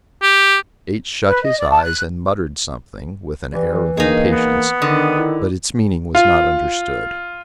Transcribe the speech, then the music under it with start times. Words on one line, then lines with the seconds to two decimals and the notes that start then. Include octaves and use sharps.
H-- shut his eyes and muttered something, with an air of impatience; but its meaning was not understood.
0.22 G4
1.27 B4
1.43 D#5
1.58 D5
1.70 A5
1.82 F#6
3.53 G2 E3
3.97 D#3 A#3 D#4 G#4
4.32 B3
4.82 D3 D#3 D#6
5.18 E4
6.15 F4